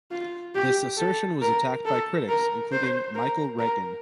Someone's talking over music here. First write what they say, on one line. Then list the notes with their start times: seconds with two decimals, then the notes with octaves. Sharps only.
This assertion was attacked by critics, including Michael Reagan.
0.11 F4
0.55 G4
0.98 A4
1.41 A#4
1.85 A4
2.28 A#4
2.72 C5
3.15 A#4
3.59 A#4